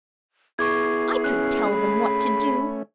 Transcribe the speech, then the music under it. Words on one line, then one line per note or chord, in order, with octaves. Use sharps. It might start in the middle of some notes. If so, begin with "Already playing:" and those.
"I could tell them what to do."
B3 E4 G#4 C#6 D6 G#6
C#4 F#6
A3 C#4 B5